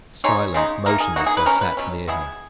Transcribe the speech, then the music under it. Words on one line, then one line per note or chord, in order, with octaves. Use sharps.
Silent, motionless, I sat near her.
C#3 G#3 D#4 C#5
C#3 G#3 D#4
E3 A#3 D#4 A#4
G#4
E3 A#3 D#4 F#4
G#4
B4
B2 F#3 C#4 A#4
B4
B2 F#3 C#4
B2 F#3 B3 E4 G#4